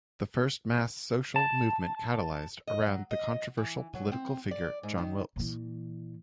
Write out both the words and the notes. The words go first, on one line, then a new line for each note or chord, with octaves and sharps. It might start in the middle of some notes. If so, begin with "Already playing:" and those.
The first mass social movement catalyzed around the controversial political figure, John Wilkes.
A5
D#5
F#3
D#5
E3
F#3
C4
D5
G#2
D#3
A#2 E3